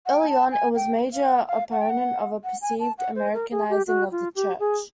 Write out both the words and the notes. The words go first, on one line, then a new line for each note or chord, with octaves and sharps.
Early on, it was a major opponent of a perceived "Americanizing" of the Church.
F#5
G5
G#5
A5
G#5
G5
F5
F#5
F5
F#5
G5
F#5
F#5
G#5
A5
F#5
C5
A#4
G#4
G4
F#4
F4
G4
G#4